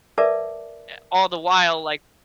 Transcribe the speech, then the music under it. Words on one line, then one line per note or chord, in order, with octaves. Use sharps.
eh, all the while, like
A#4 B4 D5 E5 A5 D6